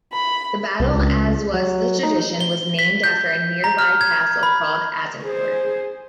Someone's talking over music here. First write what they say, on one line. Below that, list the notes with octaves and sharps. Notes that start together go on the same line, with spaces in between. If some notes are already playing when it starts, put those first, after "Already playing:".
The battle, as was the tradition, was named after a nearby castle called Azincourt.
B5
C2
C#2
F#3
D#4
G7
B6
G6
A#5
F6
G#6
B5
G#4 C5